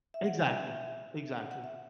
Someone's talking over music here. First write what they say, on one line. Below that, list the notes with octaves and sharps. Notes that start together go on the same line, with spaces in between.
Exactly, exactly.
E5
F#5
G#5
F#5
E5
F#5
F#5
E5